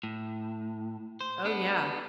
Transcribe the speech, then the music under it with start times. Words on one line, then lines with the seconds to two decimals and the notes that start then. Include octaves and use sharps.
Oh, yeah.
0.03 A2
1.21 C5
1.45 B3 D4